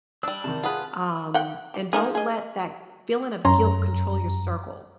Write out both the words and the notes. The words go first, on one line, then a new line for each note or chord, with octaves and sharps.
Um, and don't let that feeling of guilt control your circle,
G3 D4 E6
C3 D#3 A5
F4 G#4 B4 F#5 D#6 F#6
F#5 G5
G4
A#3 D#4 G#4
G#4 D#5
F#2 C#4 C#5 A#5 C6